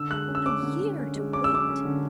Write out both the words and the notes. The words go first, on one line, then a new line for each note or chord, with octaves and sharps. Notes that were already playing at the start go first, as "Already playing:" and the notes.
A year to wait!
Already playing: D3 E6
G#3 F#6
C#4
E6
C#4 D6
D3
D3
C#4
G#3
C#4 D6
E6
C#4 D6
C#4
D3